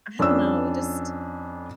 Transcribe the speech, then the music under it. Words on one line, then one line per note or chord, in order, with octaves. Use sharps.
I don't know, we just
F2 C#4 D4 E6